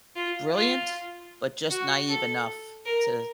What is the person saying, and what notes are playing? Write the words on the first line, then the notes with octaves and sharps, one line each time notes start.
brilliant, but just naive enough to
F4
F4
F#4
A4
A#4